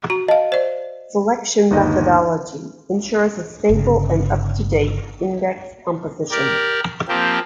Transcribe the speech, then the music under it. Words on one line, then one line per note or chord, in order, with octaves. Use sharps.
Selection methodology ensures a stable and up-to-date index composition.
F#4 A#5
D#5 F5 A5
C5 D5
G1 D#2 D#4 D#5
G1 C#3
G4 A#4 D5
F3 A#3 C4 G4